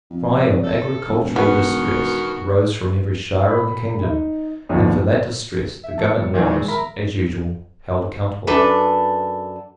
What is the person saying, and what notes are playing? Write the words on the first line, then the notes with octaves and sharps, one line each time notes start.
The cry of agricultural distress rose from every shire in the kingdom; and for that distress the government was, as usual, held accountable.
F2
A4
E1
B2 D#3 B3 F#4
B5
D#4
A1 D#2 B2 D3 F3
E5
E3 A5 C#7
G3
A#2 D#3 E3
G#3
A#4 E5 A#5 B5
F#2 D4 A4 B4